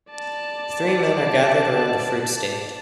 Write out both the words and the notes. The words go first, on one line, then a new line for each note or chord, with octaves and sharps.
Three men are gathered around a fruit stand.
D5 A5